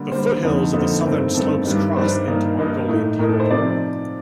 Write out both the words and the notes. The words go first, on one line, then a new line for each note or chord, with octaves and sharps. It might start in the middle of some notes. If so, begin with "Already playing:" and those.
The foothills of the southern slopes cross into Mongolian territory.
Already playing: D3 G3 A#3
D3 G3 A#3 C5
F2 D3 F3 A#3 D#4
F2 D3 F3 A#3 D#4 A4
G2 D#3 A3 C4
G2 D#3 A3 C4 A4
G2 D#3 G3 D4
G2 D#3 G3 D4 C5
G2 D#3 A#3 D#4
G2 D#3 A#3 D#4
A2 A3 D#4
A2 A3 D#4 A#4
A4
C5
C3 F3 C4 D#4 D5